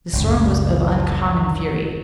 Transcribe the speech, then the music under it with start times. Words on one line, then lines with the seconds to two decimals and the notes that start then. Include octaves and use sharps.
The storm was of uncommon fury.
0.13 F#1 C#2